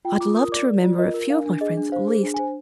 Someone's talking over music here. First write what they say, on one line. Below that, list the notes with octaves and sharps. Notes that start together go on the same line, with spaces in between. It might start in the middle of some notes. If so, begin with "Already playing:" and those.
I'd love to remember a few of my friends at least.
F4 G5
F4 D6
A#4 D#6
D5 D6
D5
F4
A#4 D#5
A#4
D4 F5
D4
G#4 D#5
D4
C5 F5
G#4
D4
G#5
C5